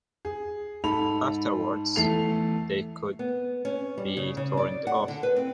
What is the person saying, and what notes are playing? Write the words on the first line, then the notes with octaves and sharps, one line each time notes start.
Afterwards, they could be turned off.
G#4
G#2 A4 B5 F7
E2 A3 A4 C7 F7
B3
C#4
G3
C#3
C#3
D5
F#5
D3
B4
C4